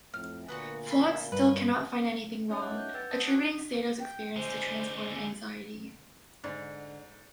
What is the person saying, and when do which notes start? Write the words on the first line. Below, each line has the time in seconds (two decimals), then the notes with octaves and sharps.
Phlox still cannot find anything wrong, attributing Sato's experience to transporter anxiety.
0.14 F2 A2 A3 F6
0.48 D2 A#2 B3 D4 F#4
0.87 F4 A4 B5
1.32 G2 B4
2.49 C#4 D#4 C#5 D#5 E5 A5
2.62 F#5 D6 F#6
2.78 G6
2.94 B4 F#5 G5 E6 G#6 A6
3.11 C5 D5 A5 D#6
3.27 F#4 D6 F#6 G#6
4.00 G5
4.36 D3 G#3 C5
6.44 G#2 D3